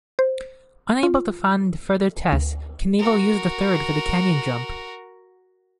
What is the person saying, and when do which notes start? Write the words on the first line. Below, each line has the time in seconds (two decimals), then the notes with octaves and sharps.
Unable to fund further tests, Knievel used the third for the canyon jump.
0.19 C5
1.03 F4
2.32 D2
2.99 F#4 A#4